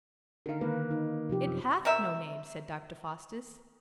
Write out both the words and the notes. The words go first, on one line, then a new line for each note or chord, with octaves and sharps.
"It hath no name," said Dr. Faustus.
D3 D#3 A#4 F5
A#3 B4
D#4
C3 F3 G4
F#2
C3 A#4 E5